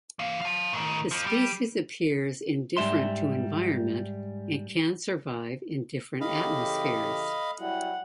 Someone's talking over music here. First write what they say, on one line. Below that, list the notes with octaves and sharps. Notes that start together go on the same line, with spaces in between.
The species appears indifferent to environment and can survive in different atmospheres.
E3 F5
F5 A5
A2 D#3
F2 F3
G3
G#2 G3 E5 C6
C#3 E3 G4 A4 D#5 F5 B5
F#3 G3 E4 F#5